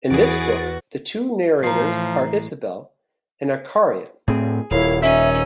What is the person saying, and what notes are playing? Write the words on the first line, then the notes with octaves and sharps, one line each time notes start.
In this book, the two narrators are Isabel and Arkarian.
E2 E3 F#4 G#4 A6 D7
A2 E3 F3 A#5 C7
A2 C4 G#4
D#1 E4 A#4 C#5 F5
C#4 D#4 C#5 E5 E6